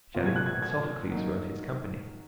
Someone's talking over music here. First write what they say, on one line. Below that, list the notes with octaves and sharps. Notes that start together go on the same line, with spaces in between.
Shelley and Sophocles are of his company.
C3 F#3 A#3 F4
G#6
F#6
G#6
G#6
F#3 A#3 D#4